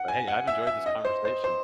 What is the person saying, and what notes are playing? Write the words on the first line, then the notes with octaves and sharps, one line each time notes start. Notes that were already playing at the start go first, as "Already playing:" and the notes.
But, hey, I've enjoyed this conversation.
Already playing: F#5
G#5
F#5
E5
E5
D#5
C5
C5
C5